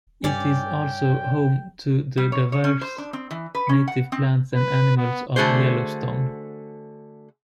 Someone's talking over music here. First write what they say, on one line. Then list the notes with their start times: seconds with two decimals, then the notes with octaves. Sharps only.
It is also home to the diverse native plants and animals of Yellowstone.
0.24 G2 C#4 D5 G5
2.18 G3
2.32 C#5
2.52 C#5
2.64 C#4
2.81 C5
2.98 D4
3.13 C4
3.31 E3
3.55 B4
3.69 C#4
3.88 F#5
4.12 C4
4.55 B4
4.97 B3
5.36 D3 A3 F#4 G#4 C5